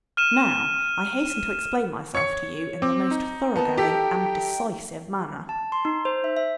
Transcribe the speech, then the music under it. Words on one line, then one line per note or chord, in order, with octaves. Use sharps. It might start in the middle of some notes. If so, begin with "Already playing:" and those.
Now I hasten to explain myself to you in the most thoroughgoing and decisive manner.
F6 D#7 E7
C#5 C#6 C#7
C4 D6
D#4
B3 A5
G4 A4 G5 B6
A5
C6
D#4
C5
E5
E5